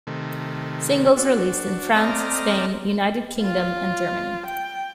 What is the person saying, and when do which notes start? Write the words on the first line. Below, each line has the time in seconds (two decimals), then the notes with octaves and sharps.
Singles released in France, Spain, United Kingdom and Germany.
0.07 C3 D#3 A3
1.17 D4 F#4
1.95 A3 C4 D5 D#5 A#5 F6
3.41 F4
4.46 G5